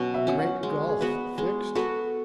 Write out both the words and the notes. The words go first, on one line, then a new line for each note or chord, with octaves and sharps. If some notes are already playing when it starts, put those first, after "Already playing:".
A great gulf fixed?
Already playing: B2 F#3 C#4
E5
F#3 C#4
F#5
G#3
G#4
B3 F#4 B4
G#3 G#4
B3 F#4 A4 B4